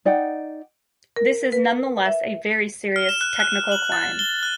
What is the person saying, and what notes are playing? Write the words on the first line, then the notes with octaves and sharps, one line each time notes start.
This is nonetheless a very serious, technical climb.
D#4 D5 F#5 G5
A#4
B4
E5
F6
E7
F#6
F#6
F#7
A6
G7
F#6